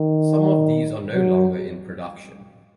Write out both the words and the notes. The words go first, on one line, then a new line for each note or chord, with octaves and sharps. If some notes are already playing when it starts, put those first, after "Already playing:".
Some of these are no longer in production.
Already playing: D#3
F#3